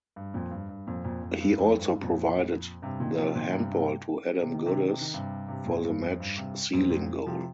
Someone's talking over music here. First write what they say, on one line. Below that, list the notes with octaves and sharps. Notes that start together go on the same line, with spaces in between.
He also provided the handball to Adam Goodes for the match sealing goal.
G2
F2 A#2
G2
G2
F2 A#2
F2 A#2
F2
G2
F2
G2
F2 A#2
G2 C3
A#2 D#3
C3 F3
A#2 D#3
G2 C3
G2 C3
C3
D#3
C3
D#3
C3
D#3
G2 C3
G2 C3
F2 A#2
G2
F2
G2
G2 C3
F2 A#2
F2 A#2
C3 F3